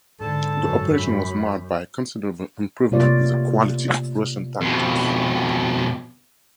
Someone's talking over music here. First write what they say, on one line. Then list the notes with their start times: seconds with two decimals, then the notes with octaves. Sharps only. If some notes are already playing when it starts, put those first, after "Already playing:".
The operation was marked by a considerable improvement in the quality of Russian tactics.
0.21 G#2 D3 A4 A5
0.60 F#2
0.94 B5
2.91 C3 A3 A#3 F4 C#5 D5
4.61 F2 B2